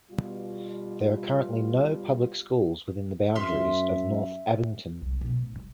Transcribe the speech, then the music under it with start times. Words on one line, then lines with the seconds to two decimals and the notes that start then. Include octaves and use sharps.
There are currently no public schools within the boundaries of North Abington.
0.11 B2 G3 F4
3.35 F#2 E5 C6 F6
5.02 C2
5.21 B1
5.36 A2
5.54 G3